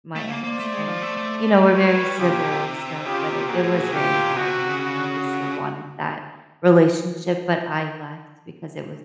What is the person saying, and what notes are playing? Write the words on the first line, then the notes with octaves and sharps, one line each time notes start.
my ex. And, you know, we're very civil and stuff, but it it was very hard. You know, I obviously wanted that relationship, but I left because it was
A3
A#3
A#3 C5 D5
A3
G#3
F3
A3
A3
G#3 B4 C#5
F#3
G3
C#3 F4 G4
A#2
B2
C3
C#3 F4 G4
C3
A#2 F#4 G#4
A2
A#2
C3 F4 G4
A2
A#2
B2 F#4
C3
C3
C#3
F#4